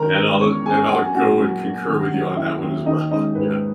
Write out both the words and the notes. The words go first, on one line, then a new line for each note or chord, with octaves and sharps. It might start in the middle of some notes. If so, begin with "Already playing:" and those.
And I'll, eh and I'll go and concur with you on that one as well. Yeah.
Already playing: D#3 A#4 A#5
G#3
E2 C#5 C#6
E2 G#4 G#5
F#3 F#5
G#5
A#2 F#4 F#5
F#3
A#2
D#3
F#3
D#2 E4 E5
D#2
D#3 D#4 D#5
G#3 D#4 D#5
G#2 B4